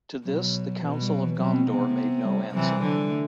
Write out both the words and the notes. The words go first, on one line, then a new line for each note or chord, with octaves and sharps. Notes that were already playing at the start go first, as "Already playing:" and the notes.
To this, the Council of Gondor made no answer.
B2 F#3
B2 E3
G3
F#3
E3
B2 F#3
C4
C3 B3
G3
C3 E3 F#3
G3
D3 F#3
G3
A3